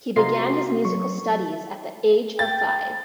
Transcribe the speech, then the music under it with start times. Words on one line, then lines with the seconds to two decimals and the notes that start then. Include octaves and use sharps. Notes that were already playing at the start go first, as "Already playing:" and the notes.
He began his musical studies at the age of five.
0.16 C3 F4 F#4 D#5 A#5 C6 C7
0.85 F#3 C#6
2.39 G5 A6